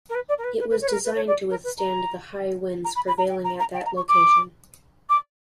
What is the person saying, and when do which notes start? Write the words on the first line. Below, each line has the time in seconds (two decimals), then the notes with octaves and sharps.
It was designed to withstand the high winds prevailing at that location.
0.09 A#4
0.14 B4
0.28 D5
0.38 A#4
0.44 B4
0.59 B4
0.70 B4
0.81 C#5
0.87 B4
0.92 A#4
1.04 B4
1.15 C#5
1.27 D5
1.50 A#4
1.64 B4
1.79 A#5
2.84 A#5
2.95 B5
3.07 B5
3.18 A#5
3.29 G5
3.44 A#5
3.59 A#5
3.74 G5
3.85 A#5
3.96 C#6
4.08 D6
5.09 D6